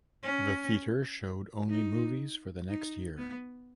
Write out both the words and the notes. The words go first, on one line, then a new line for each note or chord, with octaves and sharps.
The theater showed only movies for the next year.
C#4
D#4
D#4
B3